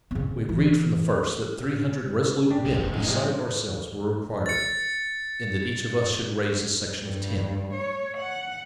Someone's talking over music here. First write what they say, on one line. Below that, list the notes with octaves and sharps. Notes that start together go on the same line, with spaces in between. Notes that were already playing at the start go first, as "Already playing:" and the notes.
We agreed from the first that three hundred resolute men besides ourselves were required, and that each of us should raise a section of ten.
C#3 C4
E3
G2 D4 G4
C2 B2 F3
F1
F#2 A2 F#3 D#4
C3 F3 G3 G#3
A6 C#7
G2
C#5
F#5